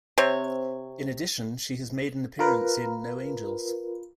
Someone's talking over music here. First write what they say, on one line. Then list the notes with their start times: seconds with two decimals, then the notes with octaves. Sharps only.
In addition, she has made an appearance in "No Angels".
0.18 C3 C4 C#5
2.39 F4 A#4 B4